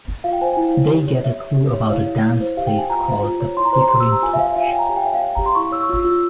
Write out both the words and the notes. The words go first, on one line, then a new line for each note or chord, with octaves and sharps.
They get a clue about a dance place called The Flickering Torch.
F4 F5
G5
C5 G#5
E4
C#5
G4
C#5
G4 E5
C#5
G4
C#5
E4 F5
C#5
E4
C5
G4 F5
G5
G4 G#5
F4 A#5
C5
F4
C#5
E4 C6
A#5
C5 C6
A#5
G4 C6
E6
G4
A#5
F4 G#5
E5
C#5 F5
E5
F4 F5
G#5
C#5 G5
A#5
G4 G#5
G5
C#5 E5
F5
G4
G4 A#5
C6
E4 C#6
C#5 E6
C#6
F4 E6
F4